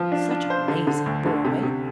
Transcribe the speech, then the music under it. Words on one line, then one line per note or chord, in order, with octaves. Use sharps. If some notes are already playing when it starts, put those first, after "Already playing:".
Such a lazy boy!
Already playing: F3 F4
D4
D4
C5
D3
D3
D2
D3
C3
C3